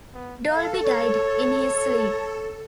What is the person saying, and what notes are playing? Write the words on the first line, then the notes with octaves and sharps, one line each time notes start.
Dolby died in his sleep.
B3
A4 F5
C#5